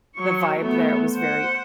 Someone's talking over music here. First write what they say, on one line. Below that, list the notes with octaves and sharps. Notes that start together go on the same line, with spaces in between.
The vibe there was very
F#3 C#6
A3 B3
C5 F#5